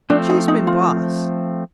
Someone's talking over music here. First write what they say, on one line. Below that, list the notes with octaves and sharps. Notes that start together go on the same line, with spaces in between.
She's been boss.
F3 A3 C4 D4
D#4
D#4
F4